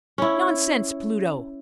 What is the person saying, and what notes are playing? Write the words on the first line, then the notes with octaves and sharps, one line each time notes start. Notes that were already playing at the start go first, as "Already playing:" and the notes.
Nonsense, Pluto!
C#4 E4